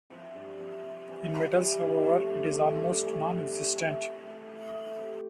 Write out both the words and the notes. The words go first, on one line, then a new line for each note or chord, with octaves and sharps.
In metals however, it is almost non-existent.
F3 C4 E4
G2
F3 C4 E4
C3
E3 G3 C4
C3
E3 G3 C4
G2
F3 A3
G2
F3 A3
G2
E3 A3
G2
E3 A3
A3
E4 A4
A3
E4 A4
A3
C4 G4